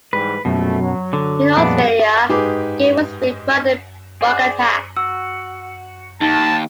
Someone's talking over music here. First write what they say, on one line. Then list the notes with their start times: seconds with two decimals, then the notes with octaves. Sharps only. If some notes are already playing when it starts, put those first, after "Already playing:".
In Australia, the game was re-branded "Bug Attack".
0.13 G#2 E3 G3 B4
0.45 A#1 F#2 B2 A3
0.80 F#3
1.13 D3
1.57 F2 A#2 G3 G#3 B3 D4
2.29 G#2 G4 G#4 B4 D6
4.21 G#4 C5 D5
4.97 F#4 E6
6.21 D#2 D#4 A5